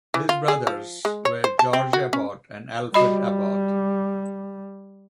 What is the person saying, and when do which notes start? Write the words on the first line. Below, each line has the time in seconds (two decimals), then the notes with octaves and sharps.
His brothers were George Abbott and Alfred Abbott.
0.14 E3
0.29 F4
0.48 G#4
0.67 F3
1.05 G#3
1.25 C#5
1.44 C5
1.59 A5
1.73 C4
1.93 F#4
2.13 C#4
2.94 G3 F#4 D#5 B5